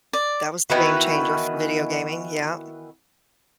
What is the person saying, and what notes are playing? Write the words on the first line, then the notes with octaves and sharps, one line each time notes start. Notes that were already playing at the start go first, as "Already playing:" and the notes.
That was the game changer for video gaming, yup.
D5
D#3 E3 B3 F#4